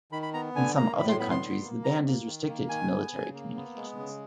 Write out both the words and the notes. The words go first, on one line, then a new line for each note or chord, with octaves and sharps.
In some other countries, the band is restricted to military communications.
D#3 B5
B5
B3 A#5
D3 G#5
A#3 A#5
A2 B5
C6
B3 B5
C6
D3
A#3
C3 A#5
A#3
D#3
A#3
D#3 G#5
B3
C#3
A#3
B3
G#3
C#3